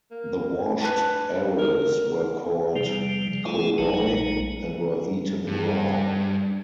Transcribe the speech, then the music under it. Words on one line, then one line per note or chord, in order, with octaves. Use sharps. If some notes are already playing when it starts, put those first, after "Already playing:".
The washed arils were called "koroi" and were eaten raw.
A#3
D4 B4 G#5 A5
A#4
C3 F3 G3
G#3 A3 E4 F4
A#1 F#3 G#3 D#4
G2